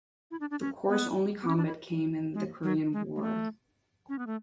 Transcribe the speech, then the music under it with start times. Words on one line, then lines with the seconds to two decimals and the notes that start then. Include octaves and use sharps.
The corps' only combat came in the Korean War.
0.31 E4
0.40 D4
0.51 D4
0.61 C#4
0.89 B3
1.42 B3
1.47 C#4
1.57 D4
1.66 E4
2.34 G#3
2.63 F#3
2.93 G#3
3.16 G#3
3.22 A3
4.09 C#4
4.19 B3
4.27 A3